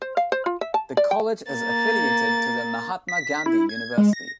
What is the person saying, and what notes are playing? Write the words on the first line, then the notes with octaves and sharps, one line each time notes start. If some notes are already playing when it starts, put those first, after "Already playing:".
The college is affiliated to the Mahatma Gandhi University.
C5
F5
C5
F4
E5
A5
D5
G5
A#3 A6
B6
E4
G#6
G#3
A#6